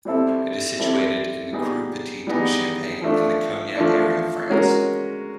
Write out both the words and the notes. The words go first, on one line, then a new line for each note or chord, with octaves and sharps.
It is situated in the cru Petite Champagne in the cognac area, France.
G3 C4 E4 A4
G3 C4 E4 A4
G3 B3 D#4 G#4
G3 B3 D#4 G#4
F3 A3 D4
F3 A3 D4
G#3 C#4 F#4 A#4